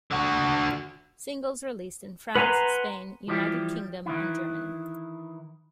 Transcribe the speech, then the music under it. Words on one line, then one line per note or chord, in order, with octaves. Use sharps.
Singles released in France, Spain, United Kingdom and Germany.
D3 F#4
B4 F#5 G#5 A#5 C6
E3 F3 G3 E4 G4
D#3 E3 E4